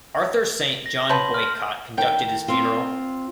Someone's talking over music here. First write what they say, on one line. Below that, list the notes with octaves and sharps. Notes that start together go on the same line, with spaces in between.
Arthur Saint John Boycott conducted his funeral.
A#6
F#3 B4 A5 C6 G6 F#7
F6
D#3 G5
C4 F4